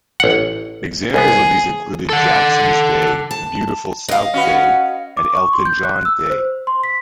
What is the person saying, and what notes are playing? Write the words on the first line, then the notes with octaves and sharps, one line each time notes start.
Examples of these included "Jacksons Day", "Beautiful South Day" and "Elton John Day".
A1 F#5
C2 B3 G#4
A4 F#5
A5
D#5 F5
C#4 F#4 B4
D6
C#6
C6
G6
F#6
E6
C5
C6
B6